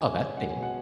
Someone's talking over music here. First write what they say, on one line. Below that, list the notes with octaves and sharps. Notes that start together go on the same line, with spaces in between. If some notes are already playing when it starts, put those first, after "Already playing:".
Oh, that's neat.
G#3 G#5
C#4
G#3 F#5
G#5
B2
F#5